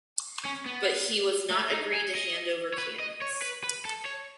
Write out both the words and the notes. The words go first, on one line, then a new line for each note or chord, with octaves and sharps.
But he was not agreed to hand over cannons.
C#4
B3
A3
D#4
G#4
D#5
C#5
B4
D#5
C#5
B4
B4
A4
C#5